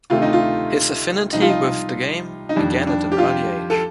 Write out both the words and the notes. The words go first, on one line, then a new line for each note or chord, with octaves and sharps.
His affinity with the game began at an early age.
D2 C3 D#3 A3 F4
D#4
F4
C2 C3 F3 D#4
F4
D#4
D#4
F2 D#3 G3 D4
D4
G4
F4
A4